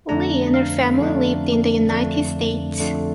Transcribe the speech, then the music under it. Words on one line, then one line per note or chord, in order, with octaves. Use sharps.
Li and her family lived in the United States.
F2 D3 A3 D4 A#5
F5
F2 D3 A3 D4
F2 D3 A3 D4
F2 D3 A3 D4